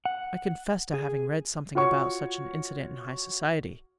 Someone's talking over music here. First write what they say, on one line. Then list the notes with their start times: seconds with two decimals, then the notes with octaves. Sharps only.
I confessed to having read something about such an incident in high society.
0.05 F#5
0.94 G#4
1.75 F4 F#4 C#5 C#6